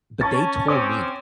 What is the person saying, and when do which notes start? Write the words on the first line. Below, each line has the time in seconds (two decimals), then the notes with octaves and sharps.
But, they told me,
0.21 C#4 A5 C#6 A6
0.68 C4 C#4 D6